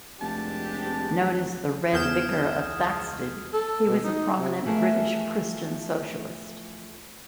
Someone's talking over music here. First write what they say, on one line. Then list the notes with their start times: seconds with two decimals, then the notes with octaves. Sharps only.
Known as the 'Red Vicar' of Thaxted, he was a prominent British Christian socialist.
0.22 F1 G#3 C4 D4 G4 A5
1.93 E2 C#3 B3 D#6 F6 G6 G#6 E7
2.57 C#2 G#3
3.53 A4
3.88 B2
4.03 D#4
4.39 C3
4.65 E3 F3 A3 G#4 A#4